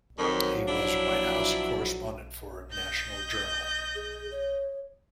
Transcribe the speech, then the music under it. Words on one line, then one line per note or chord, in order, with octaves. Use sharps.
He was White House correspondent for "National Journal".
F2 D#3 F3 F#3
D4 E4
D#5 G6 A#6
G#4
C#5